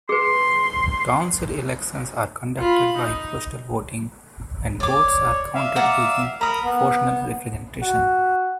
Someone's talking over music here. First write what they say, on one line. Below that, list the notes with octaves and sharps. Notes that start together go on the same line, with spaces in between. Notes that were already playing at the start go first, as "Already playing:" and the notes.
Council elections are conducted by postal voting and votes are counted using proportional representation.
G#4 B4 C6
F4 B5
D#4
C#5 D5 D6
E5 F5
D5 F#5 A#5
A#4 A#5 B5 D#6
B3
F#4